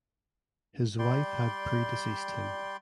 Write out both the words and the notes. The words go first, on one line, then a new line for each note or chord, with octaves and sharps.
His wife had predeceased him.
G3 D5 G5 C6